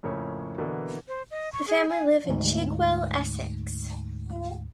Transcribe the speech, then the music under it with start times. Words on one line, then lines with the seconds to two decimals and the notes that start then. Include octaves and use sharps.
The family live in Chigwell, Essex.
0.03 F2 A2 C#3 A#3 C#5
0.58 B2 D3 E3 A#3
1.08 C5
1.31 D#5
1.53 C#6
1.68 G#4
1.89 G#5
2.29 D2 G#2